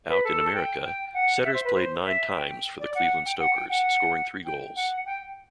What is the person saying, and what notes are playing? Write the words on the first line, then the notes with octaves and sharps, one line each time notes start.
Out in America, Setters played nine times for the Cleveland Stokers scoring three goals.
B4
A4
G5
G5
F#5
E5
C5
B4
C5
E5
G5
D5
F#5
G5
F#5
G5
F#5
G5
F#5
G5